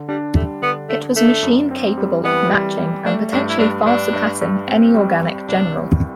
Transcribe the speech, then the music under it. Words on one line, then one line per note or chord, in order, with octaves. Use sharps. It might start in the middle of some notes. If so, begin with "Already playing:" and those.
It was a machine capable of matching and potentially far surpassing any organic general.
Already playing: D3
G3 D4
G3 A3
D3 B3
D3 A3
A3 D4
F#2
C4
G3
E3 B3
G3
G3
A3 D4
G2 D4
E4
G2 D4
G2 D4
G2
G2
C4
G3
G3
C2 D4
C2